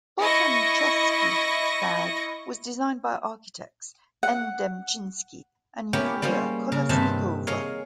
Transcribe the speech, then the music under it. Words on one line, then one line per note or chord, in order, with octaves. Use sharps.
Botanichesky Sad was designed by architects N. Demchinsky and Yuliya Kolesnikova.
E4 D#5 C#6 A#6
F#5
B3 C#4 E4 G4 A#4
G3 A#3 C#4 G#4 C5
C#3 A#4
G2 C3 D#3 E5 G#5 A5
G#4 A#4 C#5 D#5 F5